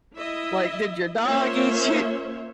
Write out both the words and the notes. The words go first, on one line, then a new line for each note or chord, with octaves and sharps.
Like, "Did your dog eat you?"
E4 D#5 E5
A#3 C#4 F4 C5 C#5 E5